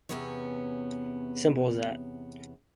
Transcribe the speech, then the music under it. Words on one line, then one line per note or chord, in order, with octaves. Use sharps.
Simple as that.
E2 G#2 C3 B3 C#4 C#5